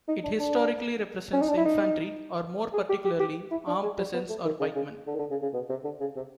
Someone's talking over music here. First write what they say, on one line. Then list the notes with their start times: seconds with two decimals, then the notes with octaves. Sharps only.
It historically represents infantry, or more particularly, armed peasants or pikemen.
0.08 D#4
0.24 D4
0.39 D4
1.33 C#4
1.41 D#4
1.49 D4
1.57 E4
1.65 D#4
2.74 G#4
2.89 G4
3.05 G4
3.20 G4
3.51 E4
3.67 D4
3.83 G#3
3.98 G3
4.13 B3
4.29 A3
4.45 D#3
4.60 C#3
4.75 C#3
5.07 D3
5.14 D#3
5.19 D3
5.30 C#3
5.42 C#3
5.54 B2
5.70 C3
5.84 D3
6.00 C#3
6.16 C3